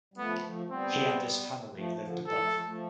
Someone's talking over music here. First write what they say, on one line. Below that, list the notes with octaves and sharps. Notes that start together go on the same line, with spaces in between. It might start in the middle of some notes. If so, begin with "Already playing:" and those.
He and his family lived above.
G3
F3 A3 B3
F3 A3
G3 B3 C4
F3 A3
D3 F3
E3 G3 A4
F3 A3
F3 A3
F3 A3